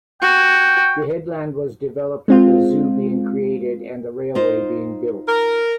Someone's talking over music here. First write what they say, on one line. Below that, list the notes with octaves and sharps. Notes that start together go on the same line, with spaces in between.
The headland was developed, with a zoo being created and the railway being built.
F#4 G5
G#3 C4 F4
D#4 F4 C5
A#4